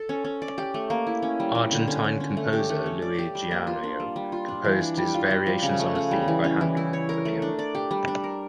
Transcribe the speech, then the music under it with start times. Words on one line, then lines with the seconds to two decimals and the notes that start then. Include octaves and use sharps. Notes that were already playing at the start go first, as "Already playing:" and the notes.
Argentine composer Luis Gianneo composed his "Variations on a Theme by Handel" for piano.
Already playing: A4
0.09 C#4
0.25 C#4
0.42 D5
0.58 G4
0.74 A3
0.90 A#3
1.07 E4
1.23 C#4
1.40 G3
1.55 G3
1.72 D3
1.88 C#4
2.04 D3
2.20 C#4
2.37 A3
2.53 G4
2.69 A3
2.86 C#4
3.02 D5
3.19 G4
3.35 G3
3.51 A#3
3.67 F4
3.84 D4
4.00 G3
4.16 G3
4.32 F4
4.48 D4
4.64 E3
4.81 D4
4.97 G3
5.14 F4
5.30 G3
5.46 F3
5.63 C#3
5.79 A3
5.95 C#3
6.11 G3
6.28 E3
6.44 C#4
6.61 E3
6.77 E4
6.93 C#5
7.09 A#4
7.25 A3
7.42 D4
7.59 D5
7.75 G4
7.91 G3
8.08 D4
8.24 A#4